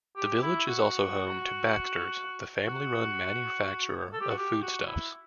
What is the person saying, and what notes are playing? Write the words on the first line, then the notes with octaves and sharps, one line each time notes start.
The village is also home to Baxters, the family-run manufacturer of foodstuffs.
G4
E4
F#4
F#4
A4
G4
F#4
G4
F#4
E4